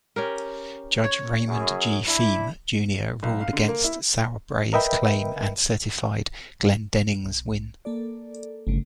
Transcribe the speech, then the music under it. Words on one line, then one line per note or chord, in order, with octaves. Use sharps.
Judge Raymond G. Thieme Junior ruled against Sauerbrey's claim and certified Glendening's win.
C#4 G4 A#4
C#5
F#2 G#4
D4 E4
B1
F5
D3
A#3
E4
A#4 B4 D#5 E5 G5 B5
B1
A#3 A4 D5
G1 C#3 A3